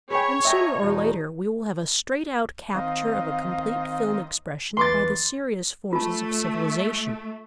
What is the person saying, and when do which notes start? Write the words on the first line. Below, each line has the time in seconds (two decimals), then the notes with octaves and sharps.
And sooner or later we will have a straight-out capture of a complete film expression by the serious forces of civilization.
0.11 G#4 C#5 G5 B5
0.45 D#5 E5 G5 A5 A#5
0.82 E2 B2 D#4
2.74 D#3 C4 D#5 F5
4.77 E2 B4 C6 D6 A6
5.93 A3 F4 A5